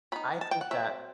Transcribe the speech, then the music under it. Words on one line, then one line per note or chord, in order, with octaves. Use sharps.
I think that
F#3 B3 D#4 B5
A5
G5
F#5
F#3 C4 E5